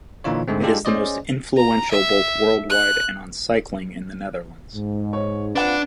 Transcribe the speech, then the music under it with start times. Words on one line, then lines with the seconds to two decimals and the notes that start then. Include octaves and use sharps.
It is the most influential both worldwide and on cycling in the Netherlands.
0.24 A#2 D3 E3 D#4 F4 C#5
0.48 G#2 D3 G#3 A3 C4
0.63 G#3 D4 F4 G4 A4
0.85 C#4 G#4 C5 D5 D#5
1.57 A#5
1.91 E5
2.70 F#6
4.74 G#2
5.13 C#5
5.55 C4 D4 F4 B4 F#5